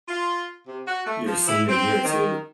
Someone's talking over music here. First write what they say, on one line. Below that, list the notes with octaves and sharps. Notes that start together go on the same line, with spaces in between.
Your senior year too.
F4
C3
F#4
A3
F3
E4
C4
D#3